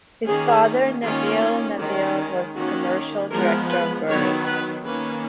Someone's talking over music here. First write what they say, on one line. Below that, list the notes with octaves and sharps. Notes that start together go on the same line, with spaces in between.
His father, Neville Neville, was commercial director of Bury.
D#3 A#3 C#4 G#4
D#3 A#3 C#4 F4
D#3 G#3 C#4
D#3 A#3 C#4 F#4
F3 G#3 B3 A#4
B4
D#3 F#3 B3 C#5
B4
D#3 A#3 C#4 B4